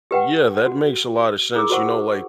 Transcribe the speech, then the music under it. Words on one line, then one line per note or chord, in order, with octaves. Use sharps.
Yeah, that makes a lot of sense. You know, like,
G4 B4 F#5 G5
F#4
E4 G#4 A#4 D6 E6
F#4 A#4 C5 F#5 C#6